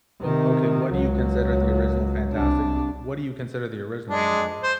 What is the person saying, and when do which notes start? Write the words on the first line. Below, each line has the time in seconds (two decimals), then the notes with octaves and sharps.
Oh, okay. What do you consider the original Fantastic f What do you consider the original one, though?
0.21 C3 D#3
0.94 C#2 F#3
2.31 C2 D4
4.09 G#3 D4
4.63 C5